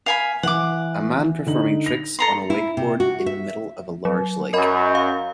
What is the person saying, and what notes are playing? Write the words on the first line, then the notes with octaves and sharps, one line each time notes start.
A man performing tricks on a wakeboard in the middle of a large lake.
F5 G#5 B5
E3 F#5 D6
D3 D#4 F#7
A#6 F7
A4 A#5 C6
E4
C3
F#4
E5
F#3
F#2 A#4 D#5 B5
F5